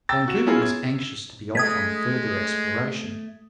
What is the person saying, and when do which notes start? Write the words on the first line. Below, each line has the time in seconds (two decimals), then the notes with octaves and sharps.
Vancouver was anxious to be off on further exploration.
0.09 G5 A#5 E6 A6
0.28 F#4 E7
0.46 B3 C#4 E4 F4 G#4 A#4
0.62 G#6
1.55 G#3 A3 D#6 G#6 B6